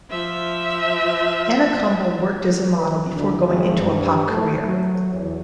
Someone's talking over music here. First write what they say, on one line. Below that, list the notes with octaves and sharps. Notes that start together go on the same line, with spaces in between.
Anna Kumble worked as a model before going into a pop career.
F3 E5
B4
D2
G#1
G2
A3
F#3
E2